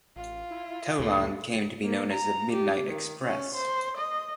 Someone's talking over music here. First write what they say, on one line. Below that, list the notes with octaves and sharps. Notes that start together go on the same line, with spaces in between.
Tolan came to be known as the "Midnight Express".
A1 F4
E4
D2 A#2 B3 A4
A#3
A#5
G4
D#3
C#4
C5
D#5